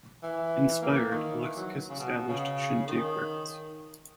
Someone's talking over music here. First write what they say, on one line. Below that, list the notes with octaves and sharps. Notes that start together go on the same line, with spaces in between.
Inspired, Alexakis established Shindig Records.
E3
A#3
D#3
E3
F#3
C#3
B2
C#3
D#3